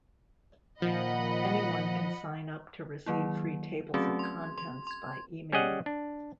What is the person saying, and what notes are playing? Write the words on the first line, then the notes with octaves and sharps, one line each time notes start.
Anyone can sign up to receive free tables of contents by email.
A#2 D#3 F3 D#5 F#5 B5
D#3 F#3 A#3 E4
F#3 A3 C4 C#4 F#4 G#4
C6 G#6
C6
C6 G#6
G3 C#4 G#4 D#5 F#5
D4